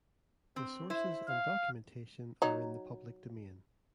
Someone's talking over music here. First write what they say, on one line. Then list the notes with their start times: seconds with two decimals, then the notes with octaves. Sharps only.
The sources and documentation are in the public domain.
0.56 C4
0.90 E4 C5
1.28 F5
2.42 F#3 D#4